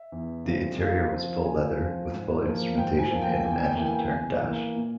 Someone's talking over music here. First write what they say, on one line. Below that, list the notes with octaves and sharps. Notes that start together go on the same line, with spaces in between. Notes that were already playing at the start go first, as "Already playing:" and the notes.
The interior was full leather, with full instrumentation in an engine-turned dash.
Already playing: E5
E2
C#3 G3 C4
C#3 F5
F3 C4
C#3 G#5
F3 C4
G#2
F3 A#3
G#2 G5
G#5
F3 A#3
G5
G#5
G5
E2 G#5
G5
G#5
G5
G#5
E3 A#3 G5
G#5
G5
E2 G#5
E3
A#3
A#2